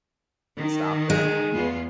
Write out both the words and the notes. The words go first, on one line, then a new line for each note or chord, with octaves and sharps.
and stop them
D#3
G#3
E2 B3 F4